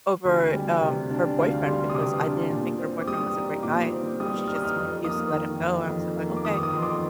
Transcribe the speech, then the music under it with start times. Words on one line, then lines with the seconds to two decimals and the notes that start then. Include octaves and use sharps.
over, um, her boyfriend because I didn't think her boyfriend was a great guy, and she just refused to let him go. I was like going, "Okay"
0.25 D2
0.54 G3
0.81 C3
1.10 D4
1.38 D2 F5
1.66 G3 C6
1.90 D#6
1.94 C3 D6
2.23 D4
2.50 A#2
2.79 C4
3.01 D6
3.07 G3 D#6
3.34 D#4
3.63 A#2 D6
3.92 C4
4.20 G3 D#6
4.47 D#4 F6
4.56 D#6
4.65 F6
4.76 F2 F6
5.04 A#3 D#6
5.32 D#3
5.60 F2
5.89 F2
6.16 A#3
6.36 D6
6.45 D#3 D#6
6.57 D6
6.63 D#6
6.73 F2 C6
6.82 D6